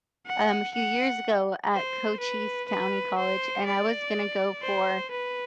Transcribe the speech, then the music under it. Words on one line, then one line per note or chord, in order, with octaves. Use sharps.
um, a few years ago at Cochise County College and I was gonna go for,
F#5
F#5
C5
B4
B4
C5
D5
C5
B4